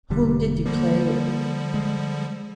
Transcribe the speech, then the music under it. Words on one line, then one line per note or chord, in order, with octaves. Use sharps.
"Whom did you play with?"
E1 D3 G3
D3 F3 G3 A#3
G#3